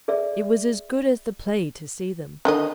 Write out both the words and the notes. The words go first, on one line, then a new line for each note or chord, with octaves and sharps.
It was as good as the play to see them.
G#4 D5 E5
D3 D#3 D#5